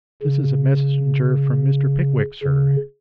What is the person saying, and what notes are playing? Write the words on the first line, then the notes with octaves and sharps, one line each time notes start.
'This is a messenger from Mr. Pickwick, Sir.'
C#3
C#3